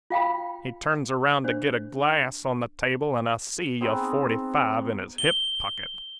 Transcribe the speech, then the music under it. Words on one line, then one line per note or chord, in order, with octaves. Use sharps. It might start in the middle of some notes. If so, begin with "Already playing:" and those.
He turns around to get a glass on the table, and I see a forty-five in his hip pocket.
F4 F5 G5 B5
D4 C5
B3 C4 D#4 G#4
G7